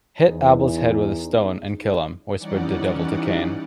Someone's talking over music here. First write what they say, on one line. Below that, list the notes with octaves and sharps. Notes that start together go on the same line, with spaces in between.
"Hit Abel's head with a stone and kill him", whispered the devil to Cain.
E2 D#4
E3 G3 C#4 D#4 D5 F#5